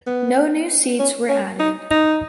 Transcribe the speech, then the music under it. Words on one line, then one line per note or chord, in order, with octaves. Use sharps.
No new seats were added.
B3
C#4
C#4
D#4
D#4